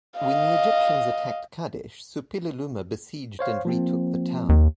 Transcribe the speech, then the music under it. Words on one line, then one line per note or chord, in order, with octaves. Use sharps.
When the Egyptians attacked Kadesh, Suppililiuma besieged and retook the town.
D#5 F5
C5 C#5 F5
F3 A#3 C4
D#2